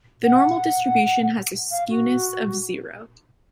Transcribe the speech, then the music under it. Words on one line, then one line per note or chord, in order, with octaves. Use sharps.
The normal distribution has a skewness of zero.
F#5
F5
F#4